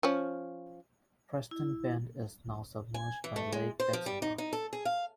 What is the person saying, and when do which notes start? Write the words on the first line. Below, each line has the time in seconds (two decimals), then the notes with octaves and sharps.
Preston Bend is now submerged by Lake Texoma.
0.03 F3 C#4
1.51 E4
2.94 G#5
3.24 E3
3.36 A3
3.52 G#3
3.80 C5
3.93 F3
4.06 G3
4.22 D#4
4.38 D#4
4.53 A4
4.73 G#4
4.85 F5